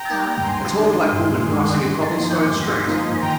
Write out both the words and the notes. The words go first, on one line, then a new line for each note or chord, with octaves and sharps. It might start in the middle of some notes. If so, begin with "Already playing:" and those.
A tall black woman crossing a cobblestone street.
Already playing: G5 A#5
G3 A#3 D#4
G2 G#5 C6
D#3 G#3 D4
G2
D#3 G#3 D4
G2
F3 A#3 D#4
G2
F3 A#3 D#4
D#3 G5 A#5